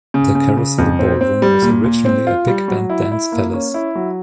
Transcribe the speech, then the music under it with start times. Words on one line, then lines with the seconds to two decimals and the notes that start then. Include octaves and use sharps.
The Carousel Ballroom was originally a big band dance palace.
0.14 C#3
0.35 C#3
0.57 C#3
0.78 F2
0.99 C4
1.21 C4
1.42 G3
1.62 A#2
1.84 A#2
2.05 C4
2.27 F4
2.47 G3
2.68 F#3
2.90 E4
3.11 E4
3.32 A#3
3.54 C#4
3.74 E4
3.95 F#3